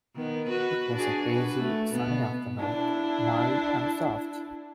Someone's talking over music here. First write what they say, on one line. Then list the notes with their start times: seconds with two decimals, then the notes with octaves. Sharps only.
It was a hazy, sunny afternoon, mild and soft.
0.16 D#3 B3
0.49 F#4 B4
0.94 D4 F#4 G#4
1.28 F#4 B4
1.58 A3
1.91 B2 B3
2.60 D4 E4